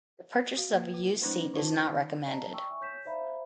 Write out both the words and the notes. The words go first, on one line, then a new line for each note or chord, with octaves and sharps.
The purchase of a used seat is not recommended.
F#4 F5
A#3 B4
F4
F#3 A3 C#4 D#4 B4 C5
D#3 D#4 F4 B4 A5
D5 D#5 A5 A#5
G5 C#6 E6
E5 G#5 C#6
C#5 G6 B6 E7
C5 D5 E5 F5 A#5 B5